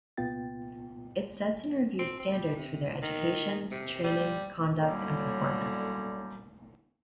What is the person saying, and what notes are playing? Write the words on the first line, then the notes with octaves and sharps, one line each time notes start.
It sets and reviews standards for their education, training, conduct and performance.
C2 A#2 B3 F4 G5 A6
C4
C4
G3
C3
D#3
C3
G3
F#2 A2 D3 F#3 G3 A#3